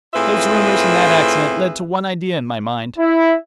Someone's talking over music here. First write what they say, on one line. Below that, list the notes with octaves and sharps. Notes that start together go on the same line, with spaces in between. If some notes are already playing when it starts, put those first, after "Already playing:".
Those rumours and that accident led to one idea in my mind.
A2 C4 F4 G#4 B4 E5
E4